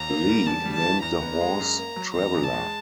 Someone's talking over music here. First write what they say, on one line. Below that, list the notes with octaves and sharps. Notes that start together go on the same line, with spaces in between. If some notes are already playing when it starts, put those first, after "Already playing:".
Lee named the horse "Traveller".
Already playing: D#2 A#5
A#3
G3
E2 A5
G3
A5
E3
E2 A#5
B3
G#3
F#2
A#3
F#3
E2 A#5
E2
A5
G#3